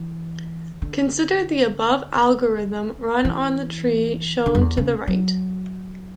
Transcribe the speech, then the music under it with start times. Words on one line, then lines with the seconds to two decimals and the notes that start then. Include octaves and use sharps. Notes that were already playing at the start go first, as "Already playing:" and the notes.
Consider the above algorithm run on the tree shown to the right.
Already playing: E3
0.82 D3
3.25 E3
4.46 D3
4.55 F#2
4.61 E2
4.77 C#3
5.07 F#3